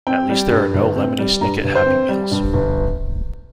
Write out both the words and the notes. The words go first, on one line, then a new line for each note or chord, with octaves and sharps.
At least there are no Lemony Snicket Happy Meals.
C4 G5
G3
G2
G1
C4
G3
G2 A#5
G1
C5
C4
G3
G2
G1